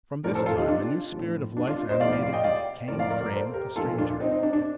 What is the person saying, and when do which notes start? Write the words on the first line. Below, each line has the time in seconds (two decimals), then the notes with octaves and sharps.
From this time a new spirit of life animated the decaying frame of the stranger.
0.24 A2 F3 A#4 D5
0.35 A4 C5
0.46 F4 A4
0.57 D#4 G4
0.68 D4 F4
1.12 A2 F3
1.57 D4
1.67 D4 F4
1.89 C5 D#5
2.00 A2 D5 F5
2.05 F3
2.11 D5 F5
2.22 D5 F5
2.33 D#5 G5
2.44 D5 F5
2.88 A2 A#4 D5
2.92 F3
2.99 D5 F5
3.10 A#4 D5
3.21 A#4 D5
3.32 A4 C5
3.54 G4 A#4
3.76 A#2 F3 F4 A4
3.98 D4 F4
4.20 C4 D#4
4.31 C4 D#4
4.43 D4
4.53 D4